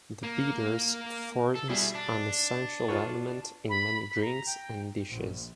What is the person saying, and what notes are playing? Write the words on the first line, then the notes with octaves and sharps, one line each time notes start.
The bitters forms an essential element in many drinks and dishes.
A#3
A4
B2 G3 E4 G#4
D4
F4 B4 C#5
B5
B6
A#5
G5
A#1